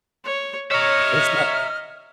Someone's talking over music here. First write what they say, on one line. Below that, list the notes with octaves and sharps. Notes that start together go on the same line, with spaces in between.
It's not
C#5
C#5 D#5 E5 A#5 F6